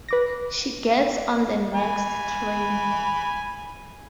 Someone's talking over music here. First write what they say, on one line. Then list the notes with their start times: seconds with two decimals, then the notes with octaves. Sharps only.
She gets on the next train.
0.09 B4 D6 A#6
1.74 G#5 B5